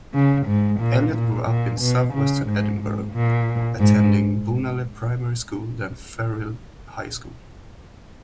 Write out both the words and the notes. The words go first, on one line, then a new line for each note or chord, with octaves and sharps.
Elliot grew up in south-western Edinburgh, attending Bonaly Primary School then Firrhill High School.
C#3
G#2
A#2
A#2
A#2
B2
C#3
G#2
G#2
A#2
G#2